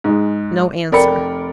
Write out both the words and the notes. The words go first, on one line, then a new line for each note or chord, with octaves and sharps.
No answer.
G#2 G#3
F1 A#4 D5 G5 B5 C#7